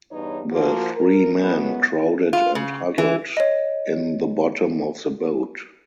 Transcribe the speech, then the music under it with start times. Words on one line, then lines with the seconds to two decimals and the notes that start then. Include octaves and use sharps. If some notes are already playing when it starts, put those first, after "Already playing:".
The three men crowded and huddled in the bottom of the boat.
0.11 E2 G2 D#4 B4 C#5
0.52 F3 A#3 F#4
0.96 A#4
1.39 F#2 A2 G#3 B3
2.33 F4
2.55 C#3
2.98 E3
3.37 C#5 D#5